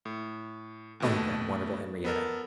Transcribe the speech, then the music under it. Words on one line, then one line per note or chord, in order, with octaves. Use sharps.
Oh, that wonderful Henriette!
A2
D#2 B2 A3
B3 A4 A#4